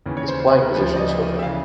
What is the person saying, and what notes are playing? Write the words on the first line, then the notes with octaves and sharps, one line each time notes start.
His playing position is hooker.
D#2 C#3 E3
C#5
C5
C5
B4
A#4
D2 C#3 F3 B4
C5
D5
D#5
E5
E5
F5
C#3 E3